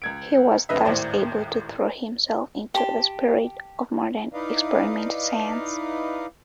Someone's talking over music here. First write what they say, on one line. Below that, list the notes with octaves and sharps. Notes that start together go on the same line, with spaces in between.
He was thus able to throw himself into the spirit of modern experimental science.
C#2 G#6 D7
F1 C#3 D#4 B4 D#5 E5
G#1 D#2 A2 C5 D5
G4 A5 C6
D#4 E4 B4 D5 D#5 F5